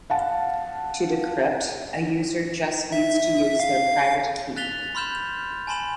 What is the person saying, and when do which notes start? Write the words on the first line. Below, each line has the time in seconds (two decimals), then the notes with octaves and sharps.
To decrypt, a user just needs to use their private key.
0.10 F5 F#5 A5
2.92 E5
3.60 F5
4.56 F#6 A6 B6 F7 G7
4.95 B5 C6 F6 G6 E7
5.67 G#5 A5 B5 C6 E7 F#7